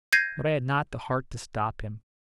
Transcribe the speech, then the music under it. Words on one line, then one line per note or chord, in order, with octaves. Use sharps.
But I had not the heart to stop him.
G6 G#6 A#6 C7 D#7